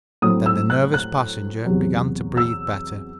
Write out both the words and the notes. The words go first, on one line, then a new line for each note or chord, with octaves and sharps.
Then the nervous passenger began to breathe better.
A2 F#3 A3 C4 D#6
E6
F#6
F#6
E2 C3 F#3
E6